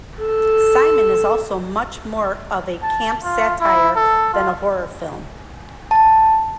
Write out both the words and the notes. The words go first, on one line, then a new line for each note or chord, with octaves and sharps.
"Simon" is also much more of a camp satire than a horror film.
A4
A5
F4
E4
A4
F4
A5